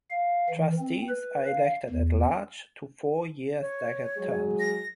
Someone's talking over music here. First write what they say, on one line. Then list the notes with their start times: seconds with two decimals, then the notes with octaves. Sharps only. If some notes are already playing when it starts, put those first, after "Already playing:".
Trustees are elected at-large to four-year staggered terms.
0.11 F5
0.50 E3
0.79 C4
1.09 B4
1.47 F5
1.89 E2
3.61 C#5
4.17 F#3 G#3 G#4
4.60 A#6